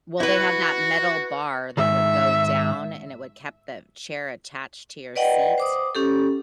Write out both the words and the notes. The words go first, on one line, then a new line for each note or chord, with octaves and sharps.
Well, they have that metal bar that would go down, and it would kept the chair attached to your seat?
E4 F#4 B4
G#2 D#3 E5
B4 D5 D#5 F#5 G5
C5 D6 D#6
C#4 G4 A4